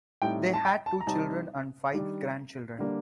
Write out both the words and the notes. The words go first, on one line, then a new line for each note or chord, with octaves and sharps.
They had two children and five grandchildren.
A2 G3 C4 D#4 G5
A5
G5
A5
A#5
C3 G3 C4 D#4 A5
D#3 G3 D4
D3 G3 A#3 D4